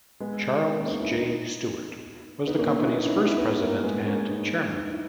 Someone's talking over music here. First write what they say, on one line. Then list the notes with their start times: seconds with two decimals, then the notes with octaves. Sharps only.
Charles J. Stewart was the company's first president and chairman.
0.20 G#3 B3
0.77 A#3 C#4
0.89 B3 D#4
1.00 C#4 E4
1.11 B3 D#4
2.47 B3 D#4
2.59 A#3 C#4
2.71 B3 D#4
2.81 C#4 E4
2.93 B3 D#4
3.05 C#4 E4
3.15 B3 D#4
3.27 C#4 E4
3.38 B3 D#4
3.61 A#3 C#4
3.84 G#3 B3
4.07 A#3 C#4
4.29 B3 D#4
4.76 D#4
4.88 E4